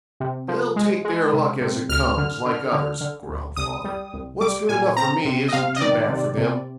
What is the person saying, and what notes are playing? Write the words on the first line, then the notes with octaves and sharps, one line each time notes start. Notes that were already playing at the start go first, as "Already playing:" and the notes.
'They'll take their luck as it comes, like others,' growled father; 'what's good enough for me isn't too bad for them.
C3
F3
G#3
G#3
C3
C3
D2 F6
D3
D3
D3
D3
D2
C2 D#6
G3
C2
G3 D6
A#2 G#5
C4 A#5
C3
D#5
C3 F5
D#5
D#3 D5
C3
C3